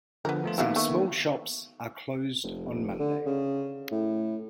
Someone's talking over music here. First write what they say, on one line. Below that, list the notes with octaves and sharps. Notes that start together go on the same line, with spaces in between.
Some small shops are closed on Monday.
D3 F3 B3 A#4
F3 A3 F4
D#3 A#3 B3 E4 F#4 F5
A3
F1
D3
C#3
A2